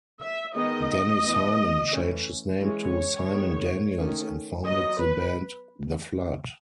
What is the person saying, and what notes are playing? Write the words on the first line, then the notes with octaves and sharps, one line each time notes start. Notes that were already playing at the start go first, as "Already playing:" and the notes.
Danny Simon changed his name to Simon Daniels and founded the band The Flood.
E5
D#3 G#3 B3 D#5
E3 B3
E3 A3 C#4
E3 G#3 C#4 C#5
D#3 G#3 B3
D#3 A3 C#4
F#3 B3 D#5
B4